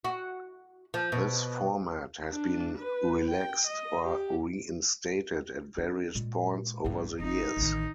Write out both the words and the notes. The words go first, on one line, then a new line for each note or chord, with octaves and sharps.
This format has been relaxed or reinstated at various points over the years.
F#4
F3
B2
D4
B4
G5
D#5
G4
D4
A#2 G#3
A#1 G2
G1 D#4
A1 D#3